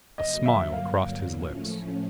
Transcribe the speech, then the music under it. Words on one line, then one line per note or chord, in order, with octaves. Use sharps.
A smile crossed his lips.
G2 D3 F#3 A#3 D#5
E5
F5
A2 F3 A3 C#4